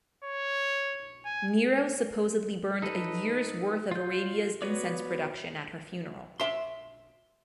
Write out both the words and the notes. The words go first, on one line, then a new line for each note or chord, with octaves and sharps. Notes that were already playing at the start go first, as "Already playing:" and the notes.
Nero supposedly burned a year's worth of Arabia's incense production at her funeral.
C#5
G#5
D#4 A4 B4
F4 G6
B3 F#4 B4 C#5 D5
E5 C6